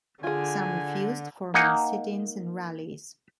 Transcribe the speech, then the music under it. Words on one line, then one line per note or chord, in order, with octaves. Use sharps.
Some refused, forming sit-ins and rallies.
D3 F4 G#4 G#5
A#3 D#4 F#5 G#5